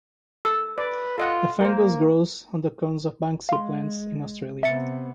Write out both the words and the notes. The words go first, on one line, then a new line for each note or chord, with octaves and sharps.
The fungus grows on the cones of "Banksia" plants in Australia.
A4 E6
B4 D5
F4 A4 D#5 F#5
A#3 A#4 C5
G#3 F5 C6
C3 B3 E5 A6 C#7